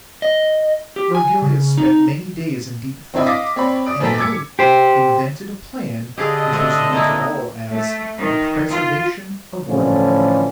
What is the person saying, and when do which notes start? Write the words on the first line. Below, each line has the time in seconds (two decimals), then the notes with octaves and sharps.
Virgilius spent many days in deep thought, and at length invented a plan which was known to all as the 'Preservation of Rome.'
0.22 D#5
0.96 G4
1.15 G#5
1.42 C#3
1.77 D#4
3.14 C4 D4 E4 D5 D#5
3.26 D#5 F5 D6 A#6 B6
3.56 C4 C#5 D5 B5
3.86 D5 D#6 D7
4.00 G#1 A#2 B3 A4 A#5 B6
4.18 D6 E6 G#6 C#7
4.59 G4 C5
6.18 D3 G4 G#4 D#5 F5
6.52 A3 C4
6.92 A#3 D#4 E4
7.72 A3
8.17 D#3
8.70 F4
9.68 A2 D3 E3 F3 C#4